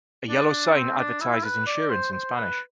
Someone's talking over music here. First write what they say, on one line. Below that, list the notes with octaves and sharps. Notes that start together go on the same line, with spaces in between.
A yellow sign advertises insurance in Spanish.
D4
C4
D4
E4
B4
D5
C5
C5
B4